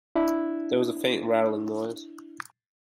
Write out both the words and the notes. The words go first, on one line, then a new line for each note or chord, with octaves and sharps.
There was a faint rattling noise.
D4 E4